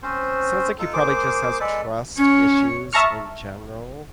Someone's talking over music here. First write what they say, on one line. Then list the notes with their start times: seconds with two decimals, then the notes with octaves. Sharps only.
sounds like he probably just has trust issues in general,
0.03 C4 C#4 C5
0.79 D#4 F4 A4
0.93 A#3 G#4 C5 D6
1.60 G#3 A4 B4 D5
2.17 C#4 C#5
2.93 E5 A5 A#5 C#6 F6